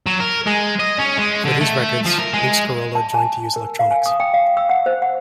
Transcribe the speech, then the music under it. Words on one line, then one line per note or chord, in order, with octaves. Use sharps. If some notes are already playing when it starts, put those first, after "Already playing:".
For these records, Luke Scarola joined to use electronics.
F#3
A#4
G#3
D#5
C#4
G#3
D3
A3
F3
A#4
G#3
A5
G#5
A#4
F5
G#5
D#6
G5
F5
E6
F#5
C5
F#5